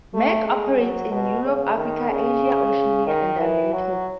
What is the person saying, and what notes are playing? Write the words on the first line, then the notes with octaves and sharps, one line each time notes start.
Merck operates in Europe, Africa, Asia, Oceania and the Americas.
A3
G#3
F#3
B2
C#3
D#3
C#3
D#3
E3
F#3